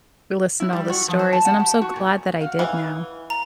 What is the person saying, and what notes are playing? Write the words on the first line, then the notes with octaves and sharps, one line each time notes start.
listen to all the stories, and I'm so glad that I did now.
E4
G3
F#4
F3
C5
A5
F#5
G4
F#4
A#2
F#4 F5
E3
A#5